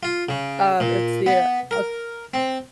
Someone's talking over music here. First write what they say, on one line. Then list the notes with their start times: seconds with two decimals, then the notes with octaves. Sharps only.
um, it's the uh,
0.03 F4
0.29 C#3
0.80 A#2
1.26 B3
1.71 A#4
2.34 C4